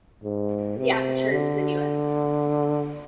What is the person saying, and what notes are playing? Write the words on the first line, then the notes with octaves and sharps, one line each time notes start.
The aperture is sinuous.
G#2
C3
D3